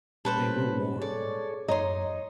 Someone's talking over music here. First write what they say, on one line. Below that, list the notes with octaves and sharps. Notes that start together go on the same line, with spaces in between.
They were warm.
A#2 G3 C#4 A4 B4 C5
G#4 A4 C#5 D5
F#2 D#4 C#5 D#5 C6